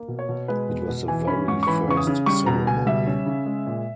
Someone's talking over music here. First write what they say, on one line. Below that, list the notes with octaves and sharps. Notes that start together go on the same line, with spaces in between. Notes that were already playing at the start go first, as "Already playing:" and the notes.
It was the very first ceremony.
Already playing: A#3
B2
C#5
B2
G#3 B4
B2
B2
E3 G#5
C#4 B5
G#2 C#6
C#6
E3 B5
C#3 C#6
D#6
C#3
G3 C#6
B2 A#5
B2 G#5
G3 E5
C#4
C#3
G#3
A#2